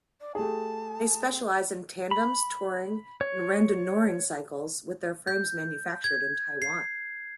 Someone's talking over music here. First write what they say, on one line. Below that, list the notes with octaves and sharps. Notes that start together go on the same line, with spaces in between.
They specialise in tandems, touring and randonneuring cycles, with their frames manufactured in Taiwan.
D5
A3 G4 G#4 A5
C4
B5
C#5
G6
G#6
C7